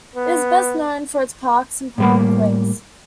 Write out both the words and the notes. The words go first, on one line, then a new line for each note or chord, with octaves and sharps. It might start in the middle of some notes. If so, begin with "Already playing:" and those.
It is best known for its parks and parkways.
B3
A2 G3 A#3